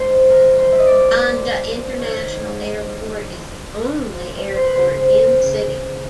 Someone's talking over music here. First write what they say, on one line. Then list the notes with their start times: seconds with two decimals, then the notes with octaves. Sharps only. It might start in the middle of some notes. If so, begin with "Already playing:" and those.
Ganja International Airport is the only airport in the city.
Already playing: G#2 C5
0.09 D#3
0.29 E3 A#4
0.51 G2
0.58 C5
0.72 G2 E5
0.79 D#5
0.86 D5
0.93 G2
1.14 A2
1.36 F3
1.57 A2
1.78 F3
1.99 D#3 C#5
2.20 D#3
2.43 G#2
2.64 D#3
2.84 G2
3.06 G2
3.27 D3
3.48 D3
3.69 G2
3.91 D3
4.12 F3
4.34 G2
4.55 F3 C5
4.65 B4
4.75 C#3 C5
4.97 E2
5.18 E2
5.40 C#3
5.61 C#3
5.82 C#3